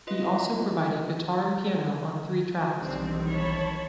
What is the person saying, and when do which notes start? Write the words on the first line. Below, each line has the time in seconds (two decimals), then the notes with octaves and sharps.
He also provided guitar and piano on three tracks.
0.07 E4 F4 B4 D#5
2.79 B1 D#3 E3 G3 C4 D4
3.29 C#5 A5 B5